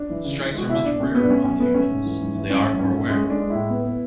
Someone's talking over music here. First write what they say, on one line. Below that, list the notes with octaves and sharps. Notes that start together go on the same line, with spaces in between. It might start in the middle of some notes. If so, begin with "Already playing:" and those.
Strikes are much rarer on humans since they are more aware.
Already playing: D4
E3
C#3
E3
G#3 F#4
B2 E4
B2 D4
A3 C#4
B2 B3
D4
A3 C#4
B2 C#4
A3 B3
A3 C#4
G#2
E3
G#2
E3
E3 C#4
A3
G#2 C#4
A3
G#3 C#4
G#3
D4
G#3
A2 E4
B3
B3